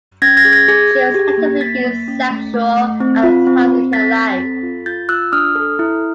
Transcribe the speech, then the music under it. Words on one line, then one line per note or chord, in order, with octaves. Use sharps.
She was actively bisexual at times in her life.
C#4 G#6 A#6
G#6 A#6
G#4
G#6 A#6
G#4
G#4
G4
A#3
A#3 A6 B6
A#3
C#4
A3
A3
A3
C4
F4
C4
C4
C4 A6 B6
C4
A4
F4
F4 G6 A6
F4 E6 F#6
D4 D#6 F6
A4
E4